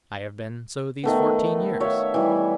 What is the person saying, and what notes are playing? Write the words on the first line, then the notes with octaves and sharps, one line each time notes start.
"I have been so these fourteen years."
D#3 A3 B3
C#5 E5 F5
E3 G3